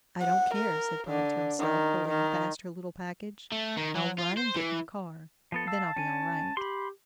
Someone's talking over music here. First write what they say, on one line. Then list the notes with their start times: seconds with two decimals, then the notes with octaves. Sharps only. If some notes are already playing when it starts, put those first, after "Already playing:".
"I don't care," said Polly to herself, holding fast her little package. "I'll run and get in the car--then I'll be all right."
0.21 F#5
0.54 A#4
1.07 D3
1.59 D#3
2.08 D#3
3.52 A3
3.77 D#3
3.95 F#3
4.18 F4
4.37 C5
4.56 E3
5.52 F3 B3 A4
5.67 F5 A5 E6
5.96 C#4 G#5
6.57 G4 B5 C6